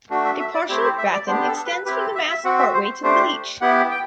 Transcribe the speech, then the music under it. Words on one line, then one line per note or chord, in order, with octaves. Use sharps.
A partial batten extends from the mast partway to the leech.
A3 D4 F#4
E5
E5
D5
A3 C4 E4 G4
C5
E5
D5
B3 D4 G4 C5
A4
B4
C4 E4 G4 B4
E5
E5
C4 F#4 F#5
E5
C5
A3 D4 G4 C5
B3 E4 G4 F#5
G5